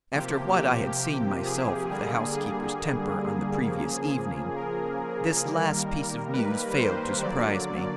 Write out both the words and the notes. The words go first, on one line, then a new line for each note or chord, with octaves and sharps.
After what I had seen myself of the housekeeper's temper on the previous evening, this last piece of news failed to surprise me.
C3 F3 A#3 G4
G4
G4
G#4
D3 G3 A#3 G#4
G#4
C#3 F3 A#3
A#4
D#3 G3 A#3
B4
C5
D3 F#3 A#3 D5